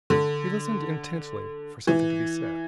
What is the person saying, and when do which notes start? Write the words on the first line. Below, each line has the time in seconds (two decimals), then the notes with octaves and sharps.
He listened intently for something to be said.
0.10 D3
1.87 E3